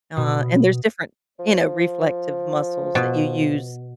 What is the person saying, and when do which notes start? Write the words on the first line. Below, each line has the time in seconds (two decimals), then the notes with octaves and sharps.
Uh, and there's different, you know, reflective muscles that you use
0.17 B2
1.39 F3
2.95 B2